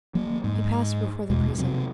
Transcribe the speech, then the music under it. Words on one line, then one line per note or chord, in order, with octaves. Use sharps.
He passed before the prison.
F#3 A#3
G#2
E2 B2 G#3
C3 F#3